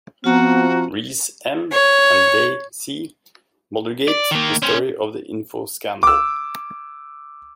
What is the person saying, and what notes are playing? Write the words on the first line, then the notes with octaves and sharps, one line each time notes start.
Rees, M and Day, C. Muldergate: The story of the info scandal.
F3 B3 C4 F4 F#4 A#5
C#5
D5
D#3 A#3
C#4 C5
D6 E6